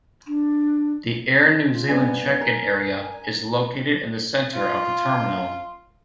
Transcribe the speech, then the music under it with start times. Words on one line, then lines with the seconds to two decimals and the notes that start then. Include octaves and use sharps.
The Air New Zealand check-in area is located in the centre of the terminal.
0.28 D4
1.75 F4
1.88 G2 B3 G#5
2.41 A#4
4.54 F4 C6